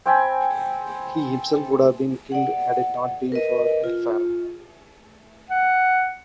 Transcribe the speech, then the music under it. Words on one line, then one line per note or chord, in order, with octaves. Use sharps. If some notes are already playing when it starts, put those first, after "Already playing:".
He himself would have been killed had it not been for Elfhelm.
C4 G5 G#5 B5
D5 F#5
A#4 B4 D#5
F4
F#5